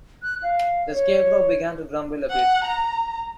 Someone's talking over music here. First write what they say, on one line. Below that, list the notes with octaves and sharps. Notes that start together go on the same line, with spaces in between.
The Scarecrow began to grumble a bit.
F#6
F5
C#5
F#5
A#5